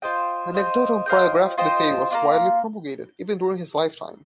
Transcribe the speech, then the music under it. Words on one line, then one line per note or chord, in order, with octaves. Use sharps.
Anecdotal biographical detail was widely promulgated even during his lifetime.
F4 C5 D#5 G5
F4 C5 D#5 G5
F4 C5 D#5 G5
F4 C5 D#5 G5
A#3 D4 F4